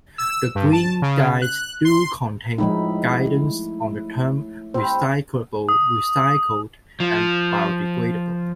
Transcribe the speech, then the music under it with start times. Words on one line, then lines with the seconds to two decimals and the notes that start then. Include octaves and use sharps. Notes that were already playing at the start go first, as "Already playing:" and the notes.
The Green Guides do contain guidance on the term recyclable, recycled and biodegradable.
0.18 E6
0.55 G2
0.73 A5
1.02 C#3
1.42 F#6
1.85 C6
2.58 A2 F3 G#3 D#4 B5
4.74 G3 C4 C5
5.69 D#6
7.00 F3